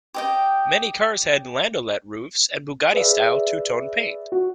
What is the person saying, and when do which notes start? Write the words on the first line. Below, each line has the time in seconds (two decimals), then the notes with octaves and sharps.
Many cars had landaulet roofs and Bugatti-style two-tone paint.
0.14 G4 D#5 G5
2.93 G#4 B4 D5 E5
4.32 F#4